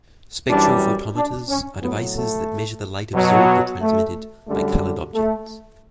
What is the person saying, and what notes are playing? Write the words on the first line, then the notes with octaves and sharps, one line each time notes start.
Spectrophotometers are devices that measure the light absorbed or transmitted by colored objects.
F#2 E3 G3 D4
D4
C#4
A2 F#3 B3
A3
B2 F#3
A3
F#2 D3 G3 A3
A3